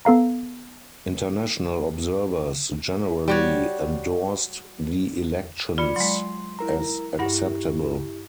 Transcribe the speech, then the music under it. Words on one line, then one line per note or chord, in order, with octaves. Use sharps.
International observers generally endorsed the elections as acceptable.
B3 A4 F5 A#5
G3 F#4 C#5
F4 D5 B5 C#7
F#3 G#3 C6
E4 A#4 A#5
G2 E4 G4 F#5